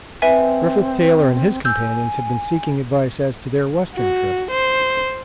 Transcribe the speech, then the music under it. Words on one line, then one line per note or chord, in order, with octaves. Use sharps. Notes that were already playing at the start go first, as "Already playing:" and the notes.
Griffith Taylor and his companions have been seeking advice as to their Western trip.
C4 B4 E5 G#5
G#5 E6 G6
F#4
C5